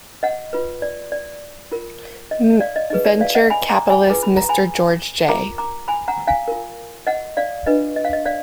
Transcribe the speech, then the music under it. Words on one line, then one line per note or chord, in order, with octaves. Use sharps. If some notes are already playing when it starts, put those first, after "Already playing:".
Venture Capitalists Mr. George J.
D#5 F#5
F4 B4
D5
D5
F4 A#4
D#5
D5 F5
D#5
D#4 G#4 B4 D#5
D5
D5 F5
D#5 F#5
G#5 B5
A#5 D6
G#5 B5
F4 G#4 B4 D6
B5
A#5
G#5 B5
F4 A#4 A#5 D6
A#5 D6
G#5 B5
F#5 A#5
F5 G#5
F4 A#4
D#5 F#5
D5 F5
D4 F4 B4 D#5
D#5
F5
D#5
D5 F5